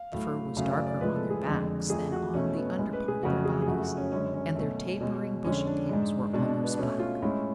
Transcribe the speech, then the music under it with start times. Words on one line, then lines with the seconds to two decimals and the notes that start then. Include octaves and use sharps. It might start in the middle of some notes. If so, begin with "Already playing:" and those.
The fur was darker on their backs than on the under part of their bodies, and their tapering, bushy tails were almost black.
Already playing: F5
0.12 A2 F#3 A3
0.57 F#2 C#3 F#3 A3 F5
0.71 D5
0.87 D5
1.01 A2 F3 G#3 B4
1.16 A4
1.30 G#4
1.46 F2 D3 G#3
1.90 F2 F3 A3 G#4
2.12 F#4
2.34 B2 A3 C#4
2.57 B3
2.68 C#4
2.78 A2 G#3 C#4
2.93 B4
3.08 G#4
3.23 F2 C#3 F#3 A3 F#4
3.45 G#4
3.62 G#4
3.67 F#2 C#3 F3 A3 F#4
3.82 F#4
3.97 C#4
4.12 F#2 D3 G#3 C#4
4.34 C#4
4.56 B2 F#3 A3
5.00 B2 G#3
5.44 F2 D3 G#3 C#4
5.67 D4
5.89 G#2 G#3
6.33 B2 G#3 D4
6.48 D4
6.63 B3
6.72 D4
6.78 B2 A3 C#4
7.00 F4
7.22 A2 G#3 C#4